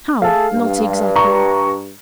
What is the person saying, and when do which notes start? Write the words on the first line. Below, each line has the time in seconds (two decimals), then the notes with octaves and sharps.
"How, not exactly?"
0.22 A3 G#4 A4 F5
0.52 G2
1.16 A#5 C#6